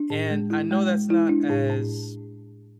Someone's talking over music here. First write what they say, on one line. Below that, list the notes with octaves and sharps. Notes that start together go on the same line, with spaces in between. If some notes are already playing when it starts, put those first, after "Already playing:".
And I know that's not as
Already playing: D4
A2
G#3
E4
G#3
G#3
E4
D4
A2
A2